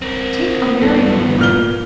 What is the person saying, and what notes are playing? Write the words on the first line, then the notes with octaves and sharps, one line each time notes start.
Take a married woman.
C4 A#4
G2 E3 B3 A4
A#2 F6 G7